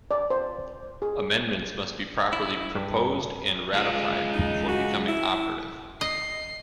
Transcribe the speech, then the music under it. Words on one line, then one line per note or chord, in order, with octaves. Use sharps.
Amendments must be properly "Proposed" and "Ratified" before becoming operative.
D5
C5
G#4
E4
G2
G#3 F4
D#4
F#4
E4
D#5 C7